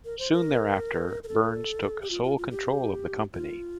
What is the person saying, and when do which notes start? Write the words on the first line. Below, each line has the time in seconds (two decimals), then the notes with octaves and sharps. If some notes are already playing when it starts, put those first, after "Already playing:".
Soon thereafter, Berns took sole control of the company.
0.05 A#4
0.19 C5
0.33 A#4
1.23 A#4
1.28 A4
2.02 G4
2.10 F4
2.24 F4
2.37 F4
2.51 G4
3.33 F4